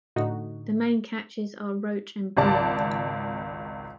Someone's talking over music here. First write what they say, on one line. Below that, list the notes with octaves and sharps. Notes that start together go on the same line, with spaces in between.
The main catches are roach and bream.
A2 D3 D#4 F#4
G#1 C#2 D5 A5